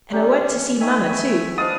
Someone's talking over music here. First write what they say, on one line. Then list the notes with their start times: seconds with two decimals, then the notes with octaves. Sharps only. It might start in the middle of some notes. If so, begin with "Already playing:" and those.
And I want to see mamma too.
0.12 C#4 G4 D5 A#5 G6
0.27 G4
0.53 E3
0.81 D#4 D#5 E5 G5 G#5 C#6
1.00 A3 B4 G5 B5
1.58 D4 B4 C5 D#5 F5 D#6 A6